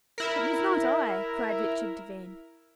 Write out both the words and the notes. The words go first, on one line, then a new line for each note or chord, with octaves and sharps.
"It was not I!" cried Richard Devine.
E4 A#4